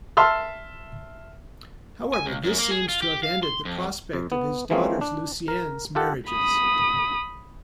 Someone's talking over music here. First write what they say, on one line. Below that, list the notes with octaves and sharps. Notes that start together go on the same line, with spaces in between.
However, this seems to have ended the prospect of his daughters' Lusignan marriages.
E5 A5 C6 E6 F6
G#5
C#2
F#2
A#3
G#4
F4
G4
F5
C6
F2
F2
B3
E3 F3 G#3 A#3 C4 C#4
D4
A#4
F4 G4 A4 F#5
B5 D#6